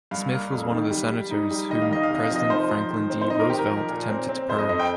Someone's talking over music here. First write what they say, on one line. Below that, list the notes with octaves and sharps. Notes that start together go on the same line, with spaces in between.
Smith was one of the senators whom President Franklin D. Roosevelt attempted to purge.
G2 F5
A#3
F2
D#3
G3
G3
D#4
G3
D#3 D#5
F5
D#3 D#5
F5
C3 D#5
F5
F3
D#5
D#4 C5
F3
D#3
C4
C5
D#4 D#5
A#4
D#3 G4
A#4
F3
A#2
C4
C4
F2 C5
D#5
F2 D#5
G5